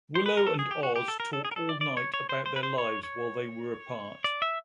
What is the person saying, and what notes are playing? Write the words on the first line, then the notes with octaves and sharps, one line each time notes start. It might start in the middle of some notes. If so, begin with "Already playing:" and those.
Willow and Oz talk all night about their lives while they were apart.
C5
B4
A#4
A4
G#4
G4
F#4
G4
A4
A#4
A4
G#4
A#4
A4
D5
D5
C#5
C#5
C5
C5
B4
C5
C#5
C#5
D5
E5